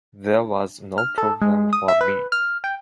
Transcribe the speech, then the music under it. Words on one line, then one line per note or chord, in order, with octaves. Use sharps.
There was no problem for me.
F6
A4
G#3
D#6
E5
B4
F6
G5